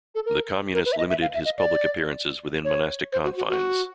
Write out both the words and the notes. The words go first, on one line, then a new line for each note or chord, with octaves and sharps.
The Communists limited his public appearances within monastic confines.
A4
A#4
A#4
B4
E5
D#5
E5
F5
E5
D#5
D5
C#5
C5
F#4
F#4
F#4